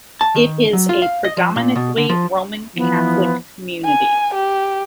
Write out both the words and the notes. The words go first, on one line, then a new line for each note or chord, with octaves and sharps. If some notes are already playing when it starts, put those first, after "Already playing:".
It is a predominantly Roman Catholic Community.
A5
D#3
F#3
F4
F5
D#5
F3
A#2
B2
D3
F3
E3 F3 B3
G#5
G4